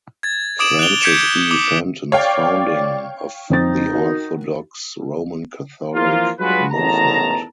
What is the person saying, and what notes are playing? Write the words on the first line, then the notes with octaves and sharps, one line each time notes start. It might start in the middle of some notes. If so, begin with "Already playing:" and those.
Francis E. Fenton's founding of the Orthodox Roman Catholic Movement.
G#6 A6
D6 D#6 D7 E7 F#7
F#6 D7 F7 G7
G6 G#6 B6 C#7 D7 E7
D6 D#6
C#5 D5 F5 G5
F2 C4 D#4 A6
F#4 A#4
E3 F3 A#3 C4 F4
G2 F#3 G#3 F4 F#4 B4
A1 E2 B2 D#3 A5 A#5